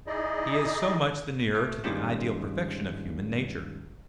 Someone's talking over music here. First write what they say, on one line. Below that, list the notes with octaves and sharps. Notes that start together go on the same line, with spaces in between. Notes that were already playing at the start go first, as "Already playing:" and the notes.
He is so much the nearer to the ideal perfection of human nature.
D#4 E4 G#4 D5 D#5
A3
G2 D#3 G3 G#3 C#4 F4